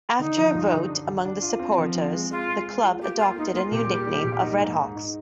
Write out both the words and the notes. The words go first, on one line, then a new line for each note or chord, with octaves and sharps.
After a vote among the supporters the club adopted a new nickname of RedHawks.
D3 D#4
F3
G2
D3
D4
D3
D4
F4
C4
F3
C4
G#3
G#3 F4
G#3
G#3
F4
A#3 G4
A#3 F4
A#3 D#4
A#3 F4
A#2 G4
G3
G3
A#2
D#4
G#2
G#2
D#4